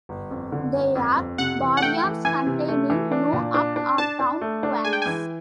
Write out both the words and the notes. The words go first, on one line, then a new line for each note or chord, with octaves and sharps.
They are baryons containing no up or down quarks.
G1
F2
D3
G1
F2
F2
C3 F#5
E3
F#5
A3 G5
E3
E3 G#5
C3
A3
E3
D4
A#2
D4
D4
D4 A5
D4
A3
D4
G#3 G#5
G5
E3 G#5